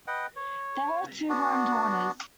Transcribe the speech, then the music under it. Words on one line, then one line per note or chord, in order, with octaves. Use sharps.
They have two grown daughters.
B4 D#5 F#5 G5
C#5
B3 D4 F#4